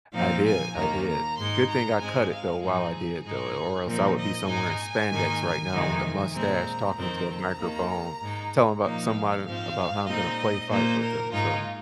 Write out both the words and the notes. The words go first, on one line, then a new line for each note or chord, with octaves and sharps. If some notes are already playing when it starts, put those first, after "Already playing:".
I did, I did, good thing I cut it, though, while I did, though, or else I would be somewhere in spandex right now with a mustache, talking into a microphone, telling about somebody about how I'm gonna play fight with them, so
A#2 F3 C4 D#4 F5
G#5
D#2 D#3 A#3 A#5
A#5
G#2 G#3 D#4 C6
A#5
G#2 G#3 C4 G#5
F5
G#2 F3 C4 D#4 G#4
G#2 G#3 D#4 G#4
A#2 F3 C4 D#4 A#4
D#5
G#2 G#3 D#4 G#5
G#2 D#3 A#3 D#4
F2 C3 D#3 G#3 D#4
A#2 G#3 C4 A#5
F2 D#3 C4 A#5
D#2 D#3 A#3
G#2 G#3 D#4
A#2 F3 A#3 D#4 F5
G#2 F3 C4 F5
A#2 G#3 C4 D#4 D#5
A#2 A#3 D#4 C5
A#4
G#2 G#3 D#4 F4